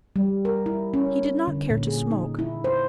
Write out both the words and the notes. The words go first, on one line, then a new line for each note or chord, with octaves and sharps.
He did not care to smoke.
G3
A#4
E4
C#4
D3
A#2
G#4
D#4
E4
C5